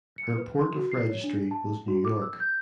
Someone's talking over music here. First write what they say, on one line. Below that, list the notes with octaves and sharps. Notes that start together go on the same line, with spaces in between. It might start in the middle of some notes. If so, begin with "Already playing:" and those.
Her port of registry was New York.
C#7
B4
C6
F#4
C7
C#5
D4
A5
F#4
D6
E6
G6